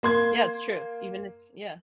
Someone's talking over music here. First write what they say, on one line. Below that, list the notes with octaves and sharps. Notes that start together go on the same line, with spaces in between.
Yeah, it's true, even if yeah.
A#3 C6 G#6